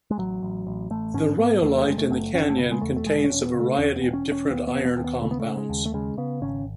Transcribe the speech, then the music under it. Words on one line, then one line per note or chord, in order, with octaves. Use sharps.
The rhyolite in the canyon contains a variety of different iron compounds.
G#3
A1 F#3
A1
A1
A1 A3
G#2 C#4
G#2 B3
E2 A3
F#1 G#3
A3
F#1
F#1 C#4
A3
C#3 B3
G#3
E2 A3
A3
E1 G#3
C#4
E1
B3
C#3
A3
E2 C#4
B3
E1
C#4
E1
C#4
D#2 B3
B3
E1
B3
D#2
B3
C#3 A3
B3
A3
C#3
G#3
D#2
A3
C#3 G#3
C#3 B3
G#1 C#4